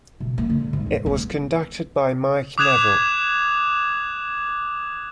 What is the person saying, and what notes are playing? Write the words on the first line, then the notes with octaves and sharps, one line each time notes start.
It was conducted by Mike Neville.
B2
A#3
D3
G#2
D#2
B3
D6 D#6 F#6 G#6 E7 F7